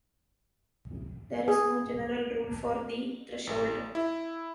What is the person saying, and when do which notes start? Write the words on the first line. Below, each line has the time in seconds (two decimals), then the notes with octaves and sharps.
There is no general rule for the threshold.
1.48 G#4
3.47 A1
3.95 E4